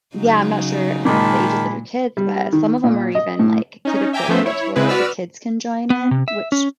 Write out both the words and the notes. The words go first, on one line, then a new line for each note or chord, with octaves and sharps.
yeah, I'm not sure about the ages of your kids, but some of them are even, like, kid appropriate to where, like, the kids can join in, which
C#3 F#3 D#4
A#2 D#3 G#3 A5 B5
G3
D#3
A#2
D#5
A2
C#4 D#4
E5 G5 G#5 A#5 D6
F3 A3 B3 C#4 C5 E5
E4 C#5
C#3 G#3 C4 E4 G#4 B4
F#4 B4 D5 B5 E6 F6
B3
C3
E5
C#4